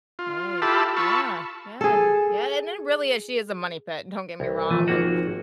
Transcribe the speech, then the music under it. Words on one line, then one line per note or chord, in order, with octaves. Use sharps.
Right. Yeah, yeah, and yeah, and it really is, she is a money pit, don't get me wrong, and
F4
E4 F4 G4 A4 A5 B5
F4 A5 B5 C#6 E6
G#4 A4
C2
A#2 F3 A3 G#5
G#1 A#3 F#4